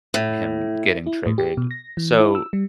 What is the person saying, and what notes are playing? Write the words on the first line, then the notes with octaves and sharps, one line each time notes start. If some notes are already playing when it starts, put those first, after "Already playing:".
him getting triggered so
A2
E4
A2
G4
B2
A#6
E3
E4
E6
G3